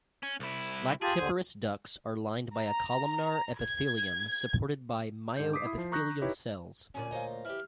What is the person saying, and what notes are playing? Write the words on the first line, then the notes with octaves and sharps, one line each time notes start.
Lactiferous ducts are lined by a columnar epithelium supported by myoepithelial cells.
C#4
C2 E4
F4 G4 G#4 A5
D#2 D3 C5
A#5
G#6
G#2 D3 G6
D6 D#6 B6 C7
E4 E5 D#6
F3 C7
A#5 C#6 D#6 F#6 G6 A#6
D#4 E4 G4 B4 C#5
D2 A#2 C#4 D5 G#5
F4 C5 C#5 D#5 A#5
E3 G4 F6